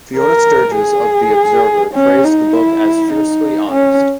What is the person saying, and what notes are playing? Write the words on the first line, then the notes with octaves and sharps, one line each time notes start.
Fiona Sturges of "The Observer" praised the book as "fiercely honest".
A#4
G#4
C#4
D#4
E4
D#4
C#4